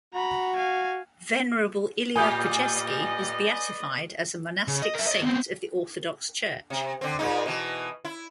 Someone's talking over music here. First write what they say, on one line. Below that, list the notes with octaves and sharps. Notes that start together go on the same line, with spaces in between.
Venerable Ilya Pechersky is beatified as a monastic saint of the Orthodox Church.
F#4 A#5 B5
F5 G#5
A2 G4 B4 D5 D#5 G#5 D#6 G6
C#3
D#5
A#4 E5
D5 D#5
B3 C4
C3
D3 C4
A#2 G#3 D#4
B2 E3
E4